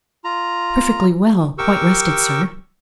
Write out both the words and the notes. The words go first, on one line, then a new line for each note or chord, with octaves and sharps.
"Perfectly well; quite rested, sir."
F4 A#5
G4 A#4 C#6 E6